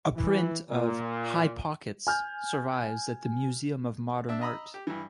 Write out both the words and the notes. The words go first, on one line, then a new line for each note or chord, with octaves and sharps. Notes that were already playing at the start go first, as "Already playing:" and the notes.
A print of "High Pockets" survives at the Museum of Modern Art.
E3
A#2
G#5 F6 G6
D4 E5
D#5 A#5 B5 D#6 E6
G4
G2 E3